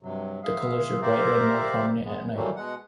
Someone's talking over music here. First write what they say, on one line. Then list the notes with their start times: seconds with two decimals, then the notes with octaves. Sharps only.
The colors are brighter and more prominent at night.
0.03 G2 C3 F#3
0.43 G#3 G#4 E5 F5
1.02 G4 A#4 C5 D5 E5 F5
2.04 G#3 B3
2.34 D#3 E3 F#3 G3 A3 A#3
2.56 B2 G#3 F#5